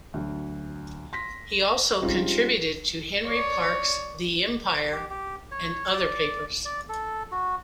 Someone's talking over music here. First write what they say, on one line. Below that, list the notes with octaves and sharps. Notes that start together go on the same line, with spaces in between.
He also contributed to Henry Parkes' "The Empire" and other papers.
D2 F#3
C6 A#6 B6
G3 G#3 C4 C#4 D#4 F4
C#5 D5
G4
G4
C#5
D5
D5
A4
F#4